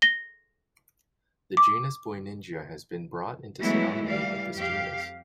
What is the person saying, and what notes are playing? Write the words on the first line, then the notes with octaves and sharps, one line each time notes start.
The genus Buiningia has been brought into synonymy with this genus.
A#6 G7
D6
E3 F#3 G#3 A3 B3 E4
E3 G3 D5 F5
F2 G4 F5